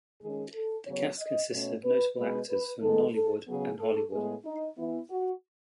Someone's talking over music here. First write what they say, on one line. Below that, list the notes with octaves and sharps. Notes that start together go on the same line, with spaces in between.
The cast consisted of notable actors from Nollywood and Hollywood.
D#3 G#3 C#4 G#4
A4
C#3 F#3 B3 C#5
D#5
B2 A3 C#4 C#5
B4
B2 G#3 B3 B4
B4
D#3 G#3 B3 A4
A4
C#3 F#3 B3 G#4
A4
A2 G#3 B3 G#4
D#4
E3 B3 E4
F#4